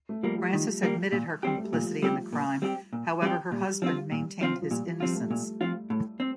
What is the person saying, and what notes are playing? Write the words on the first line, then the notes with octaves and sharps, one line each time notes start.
Frances admitted her complicity in the crime; however, her husband maintained his innocence.
A3
F3 G3 A#3
G3
D#3
G3 A#3
A#2
G3 C4 G4
A3
G3
A#2 F3
G3 C4 G4
A#2
G3 C4 G4
A#2
G3 C4 G4
A#2 G3
F3 C4 F4
A#2
F3 C4 F4
F3
A#2 G3
F3
F3 G3 C4 F4
A3
A#2 A3
F3 C4 F4
A2
C4